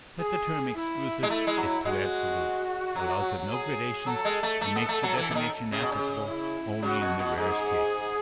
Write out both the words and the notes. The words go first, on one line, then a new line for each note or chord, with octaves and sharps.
But the term "exclusive" is too absolute, allows of no gradations, and makes the definition applicable only in the rarest cases.
G#4
E4
G#3
A3 E4
G#3
F#3
G#3 F#4
F#3
G#4
F#3 A4
G#3
A3
A3
B3
A3
F#3
E3
E3
D#3
C#3 G#4
B2
C#3
E4
C#3 F#4
B2
B2
G#2 G#4